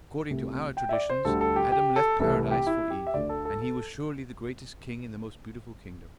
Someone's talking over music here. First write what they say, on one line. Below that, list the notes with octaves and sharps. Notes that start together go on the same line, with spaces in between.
"According to our traditions, Adam left Paradise for Eve; and he was surely the greatest king in the most beautiful kingdom."
C2 C3 A3
G5
E5
D5
C5
D2 D3 G3 A4
A4
G4
G4
A4
C2 C3 E3 A3 A4
G4
E4
G4
E5
D2 D3 A3 D5
A4
A4
A4